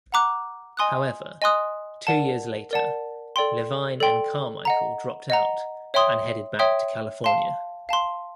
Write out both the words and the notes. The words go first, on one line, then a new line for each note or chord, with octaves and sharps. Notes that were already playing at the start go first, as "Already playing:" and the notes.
However, two years later, Levine and Carmichael dropped out and headed back to California.
F#5 A#5 D6 F#6
D#5 G#5 C6 D#6 F#6
D#5 G#5 C6 D#6 F#6
A#4 D5 F#5 A5
A#4 D5 F#5 A5
A4 D5 G5 C6
A4 D5 G5 C6
D#5 F#5 A#5
D#5 F#5 A#5
C#5 E5 G5 C6 D#6
C#5 E5 G5 C6 D#6
F5 A5 C6
F5 A5 C6